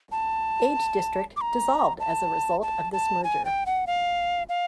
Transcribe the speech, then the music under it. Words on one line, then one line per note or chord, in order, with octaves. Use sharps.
Age District dissolved as a result of this merger.
A5
D6
A#5
A5
A5
A5
G#5
G5
F#5
F5
F5